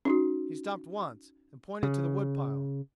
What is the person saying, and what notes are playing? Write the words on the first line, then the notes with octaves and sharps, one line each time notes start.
He stopped once, and pointed to the wood pile.
C#4 D#4 F#4
C#3